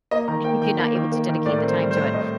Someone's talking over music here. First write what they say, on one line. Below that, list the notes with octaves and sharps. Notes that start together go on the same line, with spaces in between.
if if you're not able to dedicate the time to it?
A#3 D#5
D#3 A#5
A#3 G5
D#3 G5
A#3
D#3
A#3
D#3
A2 D5
C4 A#4
C5
G3
C5
A2
A2 D#5